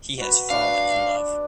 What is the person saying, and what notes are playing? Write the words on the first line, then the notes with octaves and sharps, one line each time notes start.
He has fallen in love.
F#4 B4
D4 F5